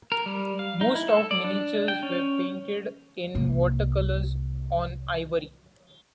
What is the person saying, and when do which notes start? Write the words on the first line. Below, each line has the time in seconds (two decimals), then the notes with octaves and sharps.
Most of miniatures were painted in watercolors on ivory.
0.12 A#4
0.26 G3
0.59 F5
0.81 D#4
0.95 E4
1.08 A4
1.31 D5
1.44 D4
1.88 G5
2.03 C#4
3.35 C2 A#3